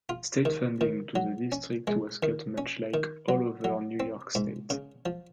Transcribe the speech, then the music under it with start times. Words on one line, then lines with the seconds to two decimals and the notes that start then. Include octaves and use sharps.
State funding to the district was cut much like all over New York State.
0.09 F4
0.45 D#3
0.81 D#3
1.15 F#3
1.52 C#4
1.87 G#3
2.23 D#3
2.58 C#4
2.94 D#3
3.29 F#3
3.64 F#3
4.00 C4
4.35 G#2
4.70 C#3
5.06 F3